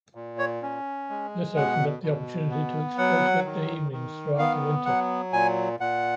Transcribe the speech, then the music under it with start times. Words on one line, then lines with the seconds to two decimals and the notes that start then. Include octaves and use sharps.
This opened up the opportunity to exploit weekday evenings throughout the winter.
0.15 A#2
0.38 C#5
0.62 C#4
1.10 G#3
1.56 B2 F#5
2.03 B2
2.51 B3
2.98 F#3 F#5
3.45 D#3
3.92 D#3
4.39 B3 F5
4.86 F#3 F#5
5.33 A#2 G#5
5.80 A#2 F#5